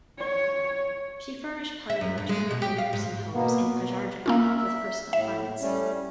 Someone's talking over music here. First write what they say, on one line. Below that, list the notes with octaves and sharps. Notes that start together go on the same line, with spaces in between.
She furnished part of the maternity and nursing homes in Pazardzhik with personal funds.
C#5
E5
F#2
G2
G#3
B2
G4
F5
G#2
B2 A#3 B3
B2
A#3 C#4 F4 A#4 E5
E5
A2 E5
G3 A3 C#4